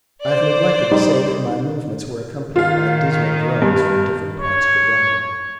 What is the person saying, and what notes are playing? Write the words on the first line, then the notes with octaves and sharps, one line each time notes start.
I have neglected to say that my movements were accompanied by dismal groans from different parts of the grotto.
C5 D5
G3 D#4
D#3 F4 F5
G2
C#5